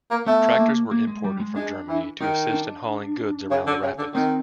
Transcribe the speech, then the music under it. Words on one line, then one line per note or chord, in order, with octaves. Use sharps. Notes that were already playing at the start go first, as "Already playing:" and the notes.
Tractors were imported from Germany to assist in hauling goods around the rapids.
A#3
A3 B3
A#3
A#3
G#3
G3
G#3
G#3 D4
E3
D#3 D#4
D4
C#3
D3
C#3
D3
D#3 C4